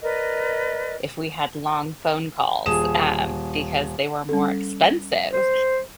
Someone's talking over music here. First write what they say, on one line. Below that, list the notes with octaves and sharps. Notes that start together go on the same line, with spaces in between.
if we had long phone calls, um, because they were more expensive,
A#4 B4 D5 D#5
D#1 G#4 D#6 E7
G3 C#4 A4
C5